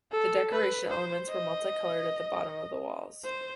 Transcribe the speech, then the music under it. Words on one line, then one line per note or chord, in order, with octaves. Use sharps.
The decoration elements were multicoloured at the bottom of the walls.
A4
B4
C5
D#5
C5